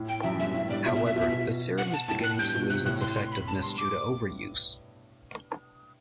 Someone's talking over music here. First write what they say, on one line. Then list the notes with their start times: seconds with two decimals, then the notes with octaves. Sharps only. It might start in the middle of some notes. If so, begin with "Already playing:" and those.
However, the serum is beginning to lose its effectiveness due to overuse.
Already playing: A2
0.08 G5
0.23 F#2 E5
0.39 G2 E5
0.54 A2 E5
0.69 G2 D5
0.85 B2 E5
0.95 E5
1.06 E5
1.16 B2 E5
1.32 B2
1.78 F#5
1.93 A5
2.08 A2 A5
2.24 F#6
2.39 G2 G6
2.55 B2
2.70 C3 F#6
2.85 A2 F#6
3.01 C6
3.16 C6
3.32 B5
3.48 A5
3.62 G2 C6
3.78 D6